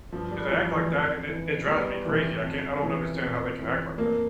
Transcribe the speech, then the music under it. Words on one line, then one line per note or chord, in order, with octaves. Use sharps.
'Cause they act like that, and it it drives me crazy. I can't I don't understand how they can act like that.
G2 F3
G3
E3 F3
E3
F2
E3
E2 G3
C3 E3
F2
C3 E3
F2
E3
F2 A#3